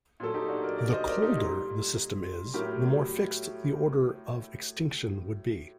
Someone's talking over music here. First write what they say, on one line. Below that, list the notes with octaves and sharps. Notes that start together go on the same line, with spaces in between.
The 'colder' the system is, the more fixed the order of extinction would be.
A#2 F#3 A4
D#4 G4
D4 F#4
A#4 D5
A#4 D5
C5 D#5
A#4 D5
D#4 G4
A#2 G3
A2 F#3 G4 A#4